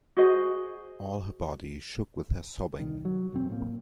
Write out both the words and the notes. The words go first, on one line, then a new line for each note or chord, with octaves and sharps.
All her body shook with her sobbing.
F#4 G#4 C5 D#5
C2 D#3
F#3
E1 F#2 C4
A2 A#3